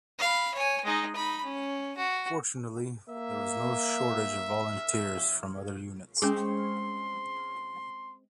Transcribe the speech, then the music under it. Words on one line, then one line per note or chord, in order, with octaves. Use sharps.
Fortunately there was no shortage of volunteers from other units.
F5 B5
C#5 G#5
G#3 D#4
D#4 B5
C#4
F#4
A#3 E5
G#3 C4 C#4 G#4 C6